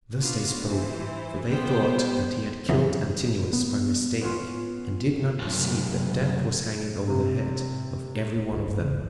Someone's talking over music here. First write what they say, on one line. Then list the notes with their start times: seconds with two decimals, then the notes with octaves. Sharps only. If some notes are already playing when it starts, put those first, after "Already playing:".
Thus they spoke, for they thought that he had killed Antinous by mistake, and did not perceive that death was hanging over the head of every one of them.
0.18 B3 D4 F4 F#4
0.62 E3 C5
1.47 G3 B3 C5 G5
2.69 F2 C#3 E3 F#3
3.53 B3
4.21 B3 C#4 F4
5.39 C2 F#2
7.08 C3
8.36 D#1
8.52 D2
8.67 G2 F4
8.80 C#3
8.94 C2 E3